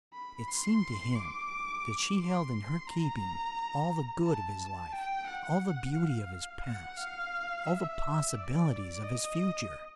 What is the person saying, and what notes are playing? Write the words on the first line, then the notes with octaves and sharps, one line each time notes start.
It seemed to him that she held in her keeping all the good of his life, all the beauty of his past, all the possibilities of his future.
B5
C6
D6
C6
A#5
A5
G5
F#5
F5
F#5
F5
E5
D5
D#5